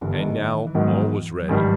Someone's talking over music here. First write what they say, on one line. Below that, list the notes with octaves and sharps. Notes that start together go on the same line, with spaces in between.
And now all was ready.
G1 G2 D3 E3 G3
D#3
E3
E3
G#2 D#3 F3 F#3 B3
F#3
G#1 G2 D#3 F3 G3